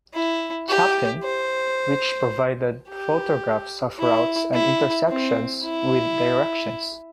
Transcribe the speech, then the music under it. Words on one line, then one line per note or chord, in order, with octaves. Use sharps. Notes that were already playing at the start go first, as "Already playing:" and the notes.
Chapin, which provided photographs of routes and intersections with directions.
E4
G4
C5
G4
E4
E4
C4
E4